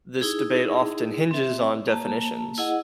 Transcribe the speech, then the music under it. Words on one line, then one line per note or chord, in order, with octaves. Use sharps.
This debate often hinges on definitions.
D#4 E4 G#4
C4 E5
A#3 A5
E4 G#4 D#5 F#5